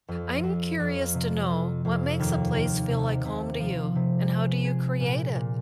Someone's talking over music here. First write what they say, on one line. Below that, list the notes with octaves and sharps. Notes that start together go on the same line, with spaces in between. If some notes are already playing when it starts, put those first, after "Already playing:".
I'm curious to know what makes a place feel like home to you and how do you create it?
F2
F2
F2
C3
F2
F2
D#2
D#3
C3
C3
F3
C3
G#3
G#4
A#2
A#2